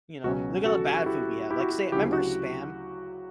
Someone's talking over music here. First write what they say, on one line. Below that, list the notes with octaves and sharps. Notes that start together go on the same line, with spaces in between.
You know? "Look at the bad food we have." Like, say, 'member Spam?
C#2 B2 F#3 C#4 F#4
F#4 A4
G4
F#4
E4 G4
E4 G4
F#4
F#4
D2 C#3 F#3 E4 G4
F#4